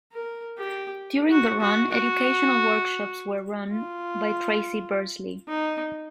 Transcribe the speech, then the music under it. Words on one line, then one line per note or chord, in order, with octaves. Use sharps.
During the run educational workshops were run by Tracy Bersley.
A#4
G4
F#4
F#4
F#4
F4
D#4